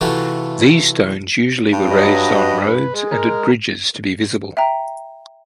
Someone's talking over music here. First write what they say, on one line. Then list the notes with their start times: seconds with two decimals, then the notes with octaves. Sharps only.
These stones usually were raised on roads and at bridges to be visible.
0.01 C3 E3 A3 F4 F#4 A4
1.73 G2
1.91 F#3 B4 D#5
2.93 G#3
3.12 A#4
4.57 E5 G5 A#5